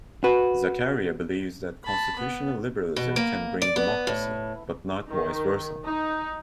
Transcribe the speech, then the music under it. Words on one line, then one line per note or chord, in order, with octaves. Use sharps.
Zakaria believes that constitutional liberalism can bring democracy, but not vice versa.
F#4 B4
A5 B5
B3
B2
A#3
D5
B3
A2
D#3
D#4